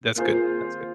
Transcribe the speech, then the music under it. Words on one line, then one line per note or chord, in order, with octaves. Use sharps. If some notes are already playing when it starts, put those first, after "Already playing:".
That's good, that's good.
A#3 F4 G#4 C5